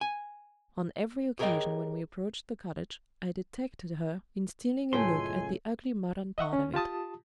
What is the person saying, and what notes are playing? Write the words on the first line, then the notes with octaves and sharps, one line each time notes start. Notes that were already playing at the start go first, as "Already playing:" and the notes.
On every occasion when we approached the cottage, I detected her in stealing a look at the ugly modern part of it.
G#5
G4 G#4 A#4 C#5 D#5 G5
C#2 F#2 A2 A3 G5 G#5 C6
D#5 E5 F#5 C#6
C#4
F4 G4 A5 D#6